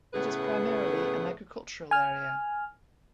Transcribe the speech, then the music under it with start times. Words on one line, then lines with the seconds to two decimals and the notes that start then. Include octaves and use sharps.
It is primarily an agricultural area.
0.14 A2 C#3 A3 B3 G#4 B4
1.91 G#5 F6